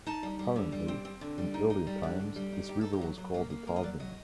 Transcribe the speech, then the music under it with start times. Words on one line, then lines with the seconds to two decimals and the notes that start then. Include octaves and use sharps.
Apparently, in earlier times, this river was called the Tarvin.
0.06 D#4 A5
0.23 G3
0.39 G3
0.56 D3
0.72 G3
0.88 C4
1.05 C4
1.21 D3
1.38 G3
1.54 D#4
1.70 D#4
1.87 G3
2.03 D3 F#4
2.20 G3
2.36 G3
2.52 D#4
2.69 D#4 G4
2.81 D#4 A4
2.93 G4
3.01 F#3
3.18 F#3
3.34 A#3 G4
3.50 A#3
3.67 A#3 A#4
3.76 D#5
3.83 F#3 D5
4.00 F#3 D#5